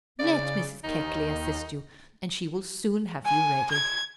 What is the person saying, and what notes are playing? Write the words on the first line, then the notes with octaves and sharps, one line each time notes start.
"Let Mrs. Keckley assist you, and she will soon have you ready."
C#3 D5
D#2 D#3 D#4
G#5
G#6